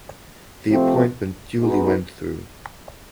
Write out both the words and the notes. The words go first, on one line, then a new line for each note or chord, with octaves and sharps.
The appointment duly went through.
C3 F3 A3 C4
G#3 B3 D#4 F#4 B4